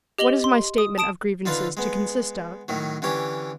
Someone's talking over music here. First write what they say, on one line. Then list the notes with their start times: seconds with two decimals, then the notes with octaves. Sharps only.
"What is my statement of grievances to consist of?"
0.18 G4 D#5 F#7 G7
0.44 C6
0.78 D#6
0.98 A5 D#6 D7 E7
1.46 D3 D#4 F4 A4 B4
1.77 G#3 B3
2.68 A2 D#3 F#3
3.02 D3 E3 C#4 G4 C#5